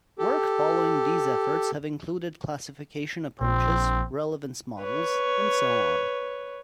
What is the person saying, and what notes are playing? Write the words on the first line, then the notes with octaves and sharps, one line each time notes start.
Work following these efforts have included classification approaches, relevance models and so on.
G4 A4
A#1 C4
B4 C#5